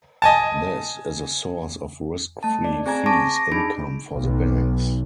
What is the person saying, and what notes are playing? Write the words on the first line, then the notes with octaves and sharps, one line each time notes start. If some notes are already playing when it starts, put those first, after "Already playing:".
This is a source of risk free fees income for the banks.
D#5 G#5 A5
A3 A5
D5
C4 G#4 G#5 A#5 G#6
A5 C#6 D6 A#6 D7
A#6
D4 D#4 G#4 B5 D7
B1